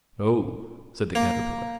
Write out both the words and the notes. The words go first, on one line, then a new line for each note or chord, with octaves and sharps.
'No,' said the Caterpillar.
A#3